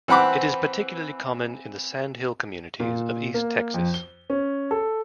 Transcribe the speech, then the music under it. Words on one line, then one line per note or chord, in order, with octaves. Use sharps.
It is particularly common in the sandhill communities of east Texas.
E3 C4 F#5 B5 D6
A#2
A#3
F2
G7
C#4
A4